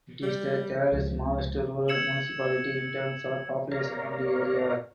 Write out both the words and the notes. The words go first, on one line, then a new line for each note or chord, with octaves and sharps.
It is the third smallest rural municipality in terms of population and area.
G3
C#2 F3
E6 G#6 C#7 E7 F#7
A#4 C#5 D5 F5 A#5